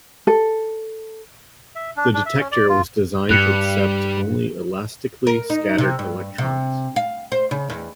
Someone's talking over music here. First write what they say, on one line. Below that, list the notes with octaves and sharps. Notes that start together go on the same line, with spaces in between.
The detector was designed to accept only elastically scattered electrons.
A4
E5
D4
D4
E5
C#4
D5
F4
G2 G3 F#6 C#7
A#4
D#4
C3
G2
C3
F5
C5
C#3
E2